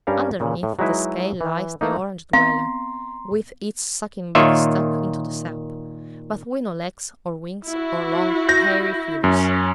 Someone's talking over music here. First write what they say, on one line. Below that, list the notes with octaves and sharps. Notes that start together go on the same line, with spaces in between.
Underneath the scale lies the Orange-dweller, with its sucking-beak stuck into the sap, but with no legs or wings or long, hairy feelers.
G2 G3 C#4 A#4 C#5 F5
A#2 C#3
A2
F#3 G#3 D#4 E4 B4 E5
E3
A3 A#3 D#4
B3 C4 F5 A#5 C6
A#2 D#3 F4 C#5 E5
E4 F#4
G6 A#6
F#2 C#4